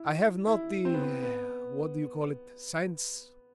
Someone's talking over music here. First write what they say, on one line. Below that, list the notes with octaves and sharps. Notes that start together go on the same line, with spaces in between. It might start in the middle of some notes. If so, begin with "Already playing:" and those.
I have not the--what do you call it--sense?
Already playing: E4
E4
C4
B3
C4
B3